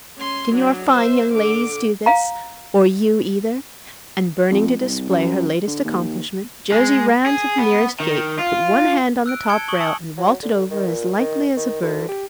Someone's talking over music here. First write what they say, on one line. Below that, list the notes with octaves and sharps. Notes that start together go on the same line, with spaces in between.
Can your fine young ladies do this? or you either?' and burning to display her latest accomplishment, Josie ran to the nearest gate, put one hand on the top rail, and vaulted over as lightly as a bird.
C#4 C6
F#3 D4
C5 E5
D3 D6
F5 A#5
F2
C2
F#2
D3
D#2
G#3
G#4
B3
D#3
F4
E6 F#6 D7
A5 G#6 C#7 D7 G7
C#6 D#6 F#7 G7
G#5 A5 D#6 E6 C#7 F#7
F#3
D3
D#3
A#2
D#3
D#3
D2
G4